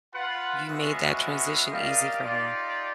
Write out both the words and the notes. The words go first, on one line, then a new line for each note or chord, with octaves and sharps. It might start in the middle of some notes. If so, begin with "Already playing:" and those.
you made that transition easy for her,
F4 B4 F#5
G#3 B3 C#4 F#4 D#5 E5
G4 A#4 D5 D#5 F5
D#4 F4 G4 D5